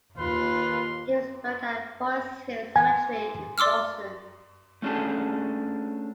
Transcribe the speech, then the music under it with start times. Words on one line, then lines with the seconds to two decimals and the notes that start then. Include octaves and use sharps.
He was buried at Forest Hills Cemetery in Boston.
0.18 D#2 F4 B4 C6
2.76 G#5
3.58 D5 C6 D6 E6 F6
4.82 A3 C#4 D4 G#4 A4